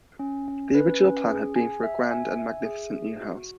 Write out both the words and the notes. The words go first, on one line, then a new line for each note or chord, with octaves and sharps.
The original plan had been for a grand and magnificent new house.
C#4
C#4
B4
C#4
G#4
G#5
E5
G#5
E5
G#4
E5
F#4